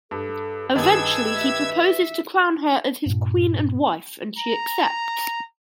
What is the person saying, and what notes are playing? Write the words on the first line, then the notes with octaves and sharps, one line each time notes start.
Eventually he proposes to crown her as his queen and wife, and she accepts.
G2 A4
G2 D#3 G#4 B4 A5 E6 G#6
E5
G2 A#2
A#5